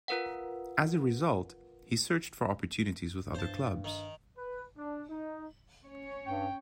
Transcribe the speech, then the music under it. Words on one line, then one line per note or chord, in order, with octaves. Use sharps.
As a result, he searched for opportunities with other clubs.
F4 A#4 B4 F5 F#5
G2
C5 A5
D#3
B4
D4
D#4
C#4 C#5
G2 G5